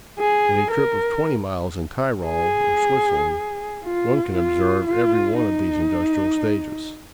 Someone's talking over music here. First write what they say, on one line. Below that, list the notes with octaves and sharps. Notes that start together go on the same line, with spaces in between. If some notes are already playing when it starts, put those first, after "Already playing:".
In a trip of twenty miles in Tyrol or Switzerland one can observe every one of these industrial stages.
G#4
A#4
G#4
F4
F4
F4
D#4